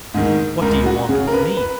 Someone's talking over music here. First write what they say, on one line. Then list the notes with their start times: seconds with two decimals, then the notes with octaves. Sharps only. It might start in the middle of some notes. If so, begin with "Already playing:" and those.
What do you want with me?'
0.14 G#2 D#3
0.62 C#2 A#4
0.86 F#4
1.09 C#3 G#4
1.27 A#4
1.33 B4
1.57 B4